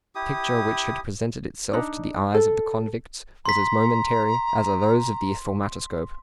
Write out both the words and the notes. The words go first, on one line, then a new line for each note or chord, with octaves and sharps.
The picture which had presented itself to the eyes of the convicts was as momentary as are those of the thaumatoscope.
E4 G4 D#6
D4 D#4
A4
A#5 C6 B6